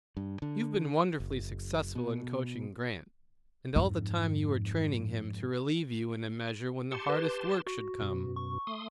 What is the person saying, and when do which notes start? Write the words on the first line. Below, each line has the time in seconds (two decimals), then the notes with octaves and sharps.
You've been wonderfully successful in coaching Grant, and all the time you were training him to relieve you in a measure when the hardest work should come.
0.17 G2
0.42 D3
1.20 F#1
1.95 B2
3.76 F2 G#2
6.91 G4 A5 C6 C#7
7.09 B4
7.67 F#4
8.00 F#2 B2
8.36 C#6
8.67 A3 C6 D#6